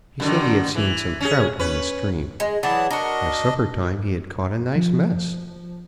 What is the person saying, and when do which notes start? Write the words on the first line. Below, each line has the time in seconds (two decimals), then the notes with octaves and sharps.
He said he had seen some trout in the stream; by supper time he had caught a nice mess.
0.20 F#2 D3 D#3
0.75 E3
1.21 C#4 G#4
1.59 C#4 B4
2.40 G#3
2.63 E3 F#3 G#4 D5 A5
2.91 D4 F#4 A#4 D#5
4.76 F3